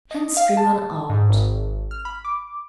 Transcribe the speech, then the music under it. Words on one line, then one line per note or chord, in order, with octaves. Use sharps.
Hence grew an art.
D#5
F5
A5
G#2
G#1
F6
B5
D6